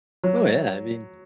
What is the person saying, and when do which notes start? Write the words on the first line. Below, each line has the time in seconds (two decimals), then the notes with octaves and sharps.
Oh yeah, I mean
0.24 F#3